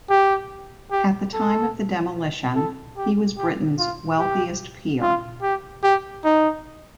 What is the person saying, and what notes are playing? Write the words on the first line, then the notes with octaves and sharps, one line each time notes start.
At the time of the demolition, he was Britain's wealthiest peer.
G4
G4
A4
A4
G4
G4
F4
G4
F4
G4
G4
D#4